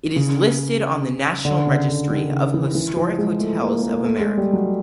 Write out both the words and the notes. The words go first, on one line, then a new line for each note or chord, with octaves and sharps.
It is listed on the National Registry of the Historic Hotels of America.
C#3
D3
C#3
D3
D#3
C#3
E3
E3
F3
G#3
A3
A#3
A#3
A3
G#3
G3
F#3